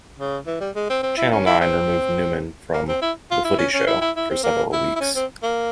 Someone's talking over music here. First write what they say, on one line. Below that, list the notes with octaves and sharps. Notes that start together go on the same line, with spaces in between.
Channel Nine removed Newman from "The Footy Show" for several weeks.
C#3
E3
G3
G#3
C4
C4
E4
C#4
E4
C4
A#3
C4
E4
F4
E4
C#4
C#4
E4
E4
E4
C4
A#3
E4
E4
C#4
C4
A#3